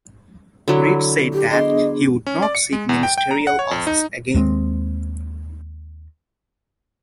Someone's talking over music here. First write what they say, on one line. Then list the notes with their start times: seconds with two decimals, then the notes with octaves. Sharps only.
Reed said that he would not seek Ministerial Office again.
0.68 D3 F#3 E4
1.34 G4
1.50 B3 D4 G#4 D#5 C6
2.27 C#4
2.42 D5
2.55 C#7
2.73 G#3
2.89 E2
3.03 G5
3.18 G5
3.31 A#5
3.47 F#5
3.59 C#5
3.71 F2
3.87 D#4
4.34 D#2 G#3 C4